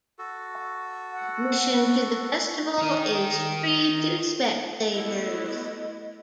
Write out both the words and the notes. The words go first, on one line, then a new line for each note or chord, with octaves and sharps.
Admission to the festival is free to spectators.
F#4 A4
F#5
D#4 A#4
A3 B3 E4 D#5